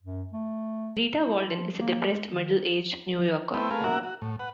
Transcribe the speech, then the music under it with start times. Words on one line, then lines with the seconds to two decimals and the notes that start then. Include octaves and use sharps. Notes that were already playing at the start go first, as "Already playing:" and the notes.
Rita Walden is a depressed middle-aged New Yorker.
0.03 F#2
0.33 A3
1.24 E4
1.46 F3
1.81 A#3
2.05 G#3
2.32 D#3
3.54 A3 B3 C4 E4 B4 G5
3.71 A3 G#4 A#4 B4 F5
3.84 A#3 F#4 A#4 E5 F#5
4.03 F#4
4.22 A2
4.39 B4 F#5